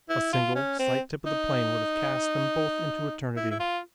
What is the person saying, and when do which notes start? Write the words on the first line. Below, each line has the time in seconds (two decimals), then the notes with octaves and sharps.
A single slight tip of the plane would have cast them both into eternity.
0.09 E4
0.32 F4
0.55 C#4
0.79 C4
1.26 D#4
3.36 E4
3.51 E4
3.60 F4